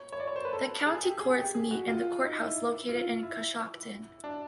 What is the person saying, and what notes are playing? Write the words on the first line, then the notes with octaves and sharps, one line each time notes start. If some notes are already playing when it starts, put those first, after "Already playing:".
The county courts meet in the courthouse located in Coshocton.
Already playing: C#5
C#5
D5
C#5
C5
B4
A4
G#4
G4
G#4
G4
G#4
F#4
F4
D#4
E4
F4
E4
D4